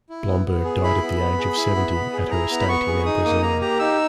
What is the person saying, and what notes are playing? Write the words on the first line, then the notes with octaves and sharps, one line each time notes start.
Blomberg died at the age of seventy at her estate in Ambrosero.
E4
B3
B3
G#4
E4 B5
B3
B3
G#4
E4
B3
B3
G#4
E4 A#5
B3
B5
B3 C#6
G#4
D#4 D#6
A#3 D#6
A#3 A#5
G4 A#5
D#4 E6